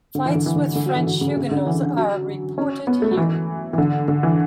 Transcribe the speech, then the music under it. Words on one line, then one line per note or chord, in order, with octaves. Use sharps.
Fights with French Huguenots are reported here.
D3
E3
D3
E3
D3
D3
F#3
E3
D3
C#3
C#3
D3
E3
F#3
C#4
B3
A3
F#3
E3
E3
D3
D3
E3